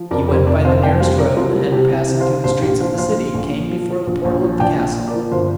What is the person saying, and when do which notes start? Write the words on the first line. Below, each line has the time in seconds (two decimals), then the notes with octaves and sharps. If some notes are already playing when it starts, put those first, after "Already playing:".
He went by the nearest road, and passing through the streets of the city, came before the portal of the castle.
Already playing: F3
0.11 F2 A#4 D5
0.28 F1 G4 C5
0.46 F1 A#4 D5
0.65 F1 C5 F5
0.82 F1 D5 G5
1.00 G3 C5 F5
1.18 C3 A#4 D5
1.37 C2 F4 A#4
1.55 G3
1.72 C3 G4
1.91 C2
2.09 C3
2.20 C5 F5
2.26 C3
2.44 A#1 C5 F5
2.62 A#1 G4
2.80 F3 C5 F5
2.98 A#1 C5 F5
3.16 A#2
3.35 A#1
3.52 A#2
3.70 F3
3.89 F3
4.07 A#1
4.25 A#1
4.42 F3
4.60 A#1 D5 G5
4.78 A#2
4.97 A#2
5.08 A#4 D5
5.14 F3
5.32 G1 C5 F5